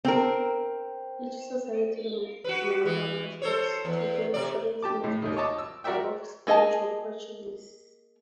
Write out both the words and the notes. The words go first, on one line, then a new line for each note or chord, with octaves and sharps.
Each society member must have taken three semesters of Spanish or Portuguese.
C4 A#4
F#4 B4
E3
A4 C5 C#5
E2
C3 D5
G4 A5 D6
A2
D#2 D#3
C#5 D#5 A5 D6
E6
G3 F#4 A#4 D5 E5 G5
A#3 G#4 D#5 G#5 A5